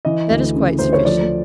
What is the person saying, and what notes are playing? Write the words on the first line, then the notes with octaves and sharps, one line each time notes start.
'That is quite sufficient.
E3 D#5
D2
C#3
D2 C5
C#5
F3 D5